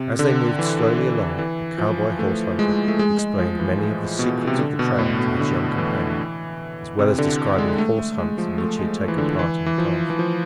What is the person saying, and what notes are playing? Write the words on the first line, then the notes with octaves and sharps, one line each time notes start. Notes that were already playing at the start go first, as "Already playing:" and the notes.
As they moved slowly along, the cowboy horse-hunter explained many of the secrets of the trail to his young companion, as well as describing horse-hunts in which he had taken part in the past.
Already playing: C3
D3
E3
D3
E3
F3
A3
G#3
A3
G#3
G#3
F3
E3
A2
B2
C3
D3
B2
A2
B2
D3
E3
C3
D3
G#3
A3
A3
G#3
F3
A3
G#3
E3
D3
E3
E3
F3
E3
F3